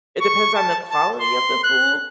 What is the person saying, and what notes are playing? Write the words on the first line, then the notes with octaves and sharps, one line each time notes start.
It depends on the quality of the food.
C#6
A5
A5
C6
F#6